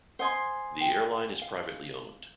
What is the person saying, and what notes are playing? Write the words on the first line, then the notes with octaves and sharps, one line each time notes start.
The airline is privately owned.
C5 D#5 F#5 G#5 C6
G5
F#5
F5